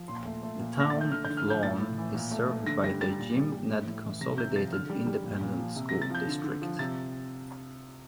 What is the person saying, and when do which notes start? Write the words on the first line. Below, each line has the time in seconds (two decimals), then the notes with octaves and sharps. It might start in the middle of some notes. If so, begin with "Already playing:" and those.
The town of Lawn is served by the Jim Ned Consolidated Independent School District.
Already playing: F3
0.08 A#2 C6
0.25 A3
0.43 A3
0.60 A#2
0.77 A3 A#6
0.90 A3 A6
1.01 G6
1.12 D3 F6
1.25 G6
1.29 D3
1.37 F6
1.46 F3 G6
1.63 A2 A6
1.80 A2
1.98 E3
2.15 A#2
2.31 A3
2.49 A3
2.66 D3 A#6
2.84 G3 A#6
3.01 G3 A6
3.18 A#2
3.36 G3
3.52 G3
3.70 A2
3.87 A2
4.04 E3
4.21 C3 A#6
4.38 C3 G6
4.55 F3 A6
4.73 D3 F6
4.90 G3
5.07 G3
5.24 A#2
5.41 A#2
5.59 F3
5.76 C3
5.89 C3 A#6
6.02 A6
6.10 F3 G6
6.28 D3
6.44 D3
6.62 F3
6.79 C3 A6